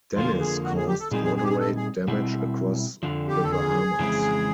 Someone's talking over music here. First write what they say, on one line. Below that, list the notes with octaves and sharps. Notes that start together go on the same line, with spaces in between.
Dennis caused moderate damage across the Bahamas.
F2 D3 F3 A#3 F4
G#4
F#4
G#4
G4
A4
A#2 G3 C4 D#4 G#4
G#4
G#4
G4
G#4
A4
G#4
B2 G3 C4 E4
F2 D3 F3
G4
A4
G#4
F2 C#3 E3 G#3 C4